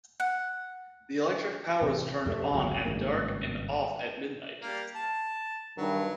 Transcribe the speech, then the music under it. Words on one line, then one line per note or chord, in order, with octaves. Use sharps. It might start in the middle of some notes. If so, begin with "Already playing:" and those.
The electric power was turned on at dark and off at midnight.
F#5
A1 C3
F2 C3 A3
G#1 D2 C#3 F#3
G#1 G2 C#3 A#3
G3 A#3
A5
G2 D#3 F#3